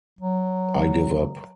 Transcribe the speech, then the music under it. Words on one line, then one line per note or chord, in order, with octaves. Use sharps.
I give up.
F#3